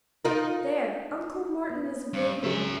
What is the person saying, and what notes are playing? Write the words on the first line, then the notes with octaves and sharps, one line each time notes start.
There, Uncle Martin is waving.
D#4 F4 A#4
B3
G2
C#3 F#3 G#3 C#4 E5